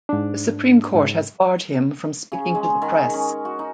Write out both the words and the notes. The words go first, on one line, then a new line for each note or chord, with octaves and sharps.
The Supreme Court has barred him from speaking to the press.
G#2 D4
G#2
C#3
G#3
D#3
C#4
F#4
D#4